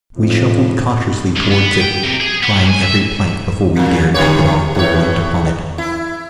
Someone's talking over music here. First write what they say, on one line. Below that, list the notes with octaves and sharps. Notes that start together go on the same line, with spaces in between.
We shuffled cautiously towards it, trying every plank before we dared to put our whole weight upon it.
F2 A2
C#2
B3
G5
C3
G#4
B3
B1
G#5
E5
F2 A#2
D3 G3 C#5
E2 A2 C#5
E4